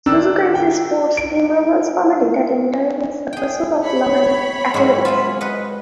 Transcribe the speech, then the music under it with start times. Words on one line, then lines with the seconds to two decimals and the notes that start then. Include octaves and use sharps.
"Suzuka" is a sports-themed romance comedy that intertwines the pursuit of love and athletics.
0.06 D#3 D4 E6
0.55 G5
1.17 D7
3.33 G#4 G5
3.83 C#5 B5
4.74 G#2 F#3
5.05 F4 E5 G#5
5.41 B4 D#5 F#5